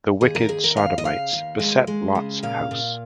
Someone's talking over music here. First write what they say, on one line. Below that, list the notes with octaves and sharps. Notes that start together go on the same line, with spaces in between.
The wicked Sodomites beset Lot's house.
D#2 G#4
A#4
D#2 G#4
A#4
D#2 F5
D#5
C#3 F5
D#2
G#3
G#3
C#3
A#2 F5
A#2